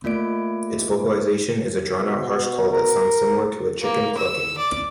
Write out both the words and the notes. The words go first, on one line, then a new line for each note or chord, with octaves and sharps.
Its vocalization is a drawn-out harsh call that sounds similar to a chicken clucking.
A3 A#3 F4 D5 D7
B2
A#4
A#3
E6
D5